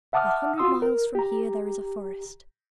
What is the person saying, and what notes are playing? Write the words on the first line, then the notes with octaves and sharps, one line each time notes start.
A hundred miles from here there is a forest.
E5 F#5 A5 D6 D#6 F6
F4 F#4 C6 D#6 E6
A#4
G4 A#5